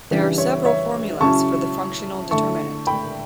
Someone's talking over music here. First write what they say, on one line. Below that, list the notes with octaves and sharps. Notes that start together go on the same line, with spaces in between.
There are several formulas for the functional determinant.
C#3 E3 G3 D4
C#5 E5
C#5 E5
C#3 F#3 C#4 E4 A5 C#6
D3 A3 E4 A5 C#6
G5 B5